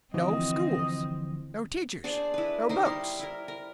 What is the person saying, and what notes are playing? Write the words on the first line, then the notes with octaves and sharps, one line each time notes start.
No schools, no teachers, no books!
D2 E3 F3 C4 D#5
D4 G#4 C5 D5
E4 B4
D#4 A#4 C5
G3 E4 C6
E4 A#4
A#4